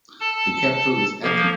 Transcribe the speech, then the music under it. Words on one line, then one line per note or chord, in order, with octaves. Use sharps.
The capital is Ati.
A4 A5
F3 A#3 A4